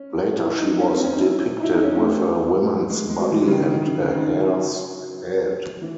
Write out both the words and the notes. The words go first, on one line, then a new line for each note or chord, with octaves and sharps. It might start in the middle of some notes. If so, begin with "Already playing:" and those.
Later she was depicted with a woman's body and a hare's head.
Already playing: C#4
E4
D#4
C#4
C4
C#4
D#4
E4
D#4
E4
D#4
C#4
A3
G#3
G#3
F#3
E3
E3
C#3
D#3
C#3
D#3
C#3
C#3
C#3
D#3
F#3
F#3
E3